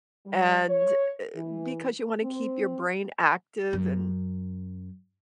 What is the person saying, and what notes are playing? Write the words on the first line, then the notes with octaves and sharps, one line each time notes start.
and, eh, because you wanna keep your brain active and
G3
C#5
E3
C4
F#2